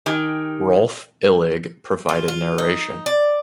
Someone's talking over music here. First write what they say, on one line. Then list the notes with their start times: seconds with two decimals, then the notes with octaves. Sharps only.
Rolf Illig provided narration.
0.06 D#3 G4 G#5
2.09 F4
2.28 F4
2.58 D#4
3.06 D5